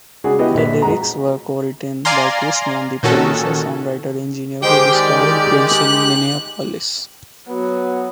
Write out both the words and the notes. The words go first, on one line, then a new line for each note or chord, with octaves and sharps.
The lyrics were cowritten by Chris Moon, the producer-songwriter-engineer who discovered Prince in Minneapolis.
C#3 G#3 D4 F#4 G#4
B3 E4 F#4 G4 B4 D#5
A#1 D4 B6
F2 G#3 F#4 A#5
D5 F5 G#5 A#5 C6
A#2 D#3 C#4 F#4 A4
D#3 G#3 G4 C5 G5
D5
F#6
F#3 B3